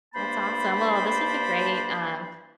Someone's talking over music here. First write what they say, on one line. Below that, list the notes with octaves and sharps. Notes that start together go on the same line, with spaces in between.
That's awesome. Well, this is a great, um,
G2 A#3 D4 C5 A5 B5